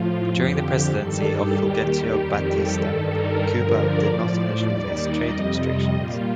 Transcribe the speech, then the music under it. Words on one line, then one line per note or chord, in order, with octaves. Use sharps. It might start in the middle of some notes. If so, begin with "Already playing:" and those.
During the Presidency of Fulgencio Batista, Cuba did not initially face trade restrictions.
Already playing: A2 F3 F4
F2 D3 F3 G4
G2 D#3 G3 A4
G4
D#2 D#3 G3 G4
F2 D#3 G3
A4
G2 D#3 G3 A4
A#4
G2 D3 F3
D5
A2 F3
D#2 D#3 G3
D#5
F2 C3 G3 D#5
A#2 G3 F4